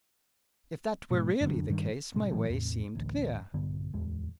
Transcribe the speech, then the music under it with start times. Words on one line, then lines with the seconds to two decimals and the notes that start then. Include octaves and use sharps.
If that were really the case my way seemed clear.
1.10 G#2 B2
1.40 F1 F#2 B2 D3
1.69 G2 D#3 G3
2.14 G2 A#2 C#3
2.31 A2 E3 F#3 A3
2.49 E2 A2 C3
2.95 A1 D2
3.54 A#1 G2 D3 B3
3.94 D1 E2 G#3